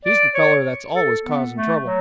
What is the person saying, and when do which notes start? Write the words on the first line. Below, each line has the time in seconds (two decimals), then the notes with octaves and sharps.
He's the feller that's always causin' trouble.
0.05 D5
0.35 C#5
0.94 A4
1.24 B3
1.54 A3
1.83 F#3